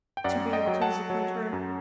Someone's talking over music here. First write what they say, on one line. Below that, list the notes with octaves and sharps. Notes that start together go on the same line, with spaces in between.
to be able to use the printer.
G5
F#2 D5 F#5
D#5 G5
F#3
F#5 A5
F#3
F#2